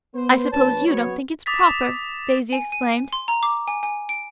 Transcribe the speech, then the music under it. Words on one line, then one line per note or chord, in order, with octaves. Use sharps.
"I suppose you don't think it's proper!" Daisy exclaimed.
B3 B4 C5
A#1 B4 C#5 A5
F#3 B3 C#5
D6 D#6 A6 B6
G#5
D#7
C6
A#5
D6
G#5
G#5
D7